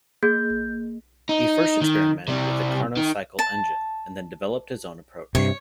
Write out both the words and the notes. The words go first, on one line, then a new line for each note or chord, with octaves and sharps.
He first experimented with a Carnot Cycle engine, and then developed his own approach.
A#3 G#4 G6
D#4
D#3
C3 G3
D#3
A5
G2 C3 C#5